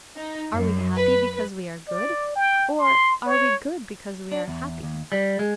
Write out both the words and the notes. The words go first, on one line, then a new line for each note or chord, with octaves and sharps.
Are we happy because we are good, or are we good because we are happy?
D#4
F#2
B4
D5
G5
C6
C#5
D4
E2
D#2
G3
G#3